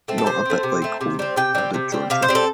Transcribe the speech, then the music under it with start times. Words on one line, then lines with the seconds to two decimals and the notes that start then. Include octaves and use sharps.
"Not a bit like home," added Georgia.
0.08 A3 C4
0.18 A4
0.26 C3 C5
0.45 A3 C4
0.63 C3
0.82 A3 C4
1.01 C3
1.19 G3 C4
1.36 C3 G5
1.55 G3 C4
1.74 C3
1.92 G3 C4
2.10 C3 F5
2.22 C5
2.28 G3 C4
2.35 A4